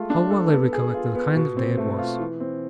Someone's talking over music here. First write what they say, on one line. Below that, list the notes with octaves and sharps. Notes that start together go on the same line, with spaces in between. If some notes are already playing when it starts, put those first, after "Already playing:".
How well I recollect the kind of day it was!
Already playing: G#3 A3 F4
D4
A4
B3
G#4
F4
B3
B2
C4
A3
F4
E3
C4